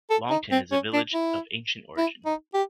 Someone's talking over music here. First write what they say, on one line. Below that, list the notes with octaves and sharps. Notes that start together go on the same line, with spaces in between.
Longton is a village of ancient origin.
A4
D#4
C4
C#4
D4
E4
E4
D#4
G4